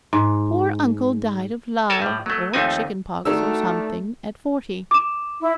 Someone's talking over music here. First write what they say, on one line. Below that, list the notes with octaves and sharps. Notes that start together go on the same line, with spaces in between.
'Poor uncle died of love, or chicken pox, or something, at forty.
G#2
A4 A#4 C#5 G#5 A5
A2 G3
F#3 A3
D#2 F3 A3 C4 D#4 G#5
D#3 A3 D4 F#4 A#4 E6
D6 E7
E4